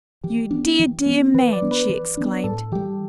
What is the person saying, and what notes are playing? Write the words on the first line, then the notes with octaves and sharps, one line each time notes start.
"You dear, dear man!" she exclaimed.
E3 G4
B3 D4
E3
B3 D4
E3 B4
D5
B3 D4
B4
E3
B3 D4
A2 A4
E3 G3 G4